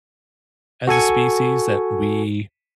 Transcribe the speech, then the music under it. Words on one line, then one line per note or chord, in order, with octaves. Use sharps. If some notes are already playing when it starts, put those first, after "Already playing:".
as a species that we
F#4 A4 G#5 C#6